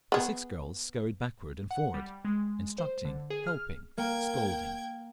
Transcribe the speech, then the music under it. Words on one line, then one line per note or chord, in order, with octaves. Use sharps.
The six girls scurried backward and forward, instructing, helping, scolding....
B3 G#4
F#5
G3
G#3
C5
D3
G#4
F6
A#3 G5 G#6